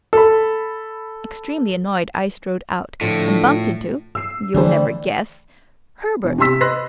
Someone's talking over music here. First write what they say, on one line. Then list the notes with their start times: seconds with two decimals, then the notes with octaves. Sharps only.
Extremely annoyed I strode out, and bumped into--you'll never guess--Herbert!
0.13 A4 B5
3.01 A2 D3 F3 F4
4.15 E6 C7
4.54 D3 E3 G3 A3 D4 G#4 C5
6.24 E1
6.38 C3 G4 C6 E6 B6
6.61 B4 D#5 B5 C6 F#6 A#6